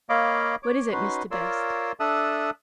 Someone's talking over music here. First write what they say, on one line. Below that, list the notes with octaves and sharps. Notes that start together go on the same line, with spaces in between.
"What is it, Mr. Best?"
A#3 C#5 D#5 F5 B5 D6
C#5 D6
C#4 D#4 F#4 B4 C6
F4 A#4 C#5 D5 C6 E6
D4 A4 E5 A5 D#6 F#6